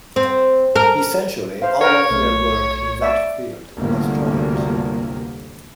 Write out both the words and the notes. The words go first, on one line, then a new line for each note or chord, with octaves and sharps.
Essentially all of their work in that field was joint.
C4
A#4
C5 F5
A#4 B4 C#5
B1 A3
D5 E5
G1 D2 C3 G3 A#3